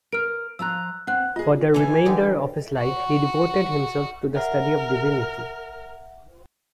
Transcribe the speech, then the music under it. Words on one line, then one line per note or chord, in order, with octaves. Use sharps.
For the remainder of his life he devoted himself to the study of divinity.
A#4 F6 D7
F3 F4 A#5 E6 F#6
C4 F#5 F#6
F4 G#4 D#5
E3 A4 G#5
D3 D#4 G4 D5 G5
F#4
A#4 E5 F#5